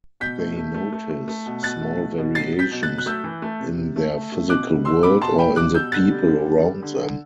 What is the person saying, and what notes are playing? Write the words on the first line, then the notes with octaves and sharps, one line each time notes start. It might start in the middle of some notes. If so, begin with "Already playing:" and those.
They notice small variations in their physical world or in the people around them.
B2 G6 B6
A3
A3
A3
A3
A3
A3
B2
B2 F#6 A6
A3
B2
B2
F#3 A6 C7
F#3
G6 B6
B2
F#6 A6
F#3
F#6
A3 E6 G6
E3
A3
C3
C3
A3
A3
A3
B2 D6 F#6
G3
B2 C6 E6
B2 B5 D6
B2 A5 C6
B2 G5 B5
G3 D6 F#6
B2 E6 G6
D3 F#6 A6
G3
D3
G3
G3
D3
D3